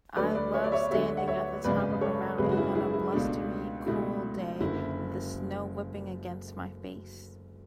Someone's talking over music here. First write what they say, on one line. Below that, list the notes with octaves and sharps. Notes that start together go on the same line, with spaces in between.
I love standing at the top of a mountain on a blustery, cool day with the snow whipping against my face.
D2 D3 F#3 A3 B4 D5
B4 D5
C#5 E5
D5
C#5 E5
D2 D3 F#3 A3 C#5 E5
F#5
C#5 E5
G#1 F#2 C#3 G#3 B4 D5
A4 C#5
G#1 F#2 C#3 G#3 G#4 B4
F#4
E4
E4 G#4
E4
C#2 B2 A3 D4
C#2 B2 A3 E4
F#1 F#2 D3 E4